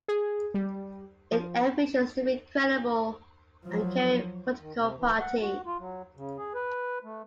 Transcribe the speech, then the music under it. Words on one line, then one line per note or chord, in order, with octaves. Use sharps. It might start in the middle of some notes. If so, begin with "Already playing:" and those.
It envisions to be a credible and caring political party.
G#4
G3
F3
F3 F#3
D#3
C3
E3
F#5
F#4
F4
F#3
C#3
G#4
B4
A3